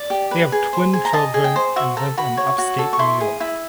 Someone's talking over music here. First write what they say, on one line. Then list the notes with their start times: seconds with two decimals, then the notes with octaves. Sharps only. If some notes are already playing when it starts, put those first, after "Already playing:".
They have twin children and live in upstate New York.
Already playing: D5
0.10 G4
0.31 B4
0.52 G#4
0.73 C5
0.93 G#4
1.05 A#5
1.13 D#5 A5
1.34 G#4
1.44 G5
1.56 C5
1.76 F#4 E5
1.97 A4 A#5
2.17 F#4 B5
2.37 C#5
2.58 F#4
2.78 A4
2.93 C#6
2.99 E4 C6
3.20 G#4
3.40 E4